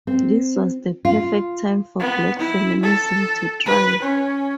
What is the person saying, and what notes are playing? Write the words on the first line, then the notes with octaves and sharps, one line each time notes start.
This was the perfect time for black feminism to thrive.
C4
F4
B3
E4
A4
B4
C#4